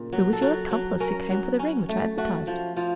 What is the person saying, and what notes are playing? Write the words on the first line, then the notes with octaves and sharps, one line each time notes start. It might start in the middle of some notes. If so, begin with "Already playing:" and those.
"Who was your accomplice who came for the ring which I advertised?"
Already playing: A#2 C#3
F#3
A4
F#3 F#4
F#3
C#4 A#4
F#3
C#4
A3
A3 F#4
F3
F3 F4